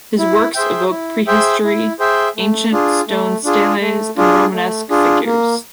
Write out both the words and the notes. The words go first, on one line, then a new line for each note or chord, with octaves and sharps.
His works evoke prehistory, ancient stone steles and romanesque figures.
E4
G#4 C5 E5 G5
E4
G#4 C5 E5 G5
E4
G#4 C5 E5 G5
A3
D4 F4 G#4
A3
D4 F4 G#4
A3
D4 F4 G#4
A3
D4 F4 G#4
A#3